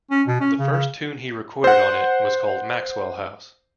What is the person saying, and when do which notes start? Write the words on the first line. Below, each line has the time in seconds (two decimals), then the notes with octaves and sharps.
The first tune he recorded on it was called Maxwell House.
0.11 C#4
0.28 B2
0.41 C#4
0.59 C#3
0.72 C#3
1.64 C5 F#5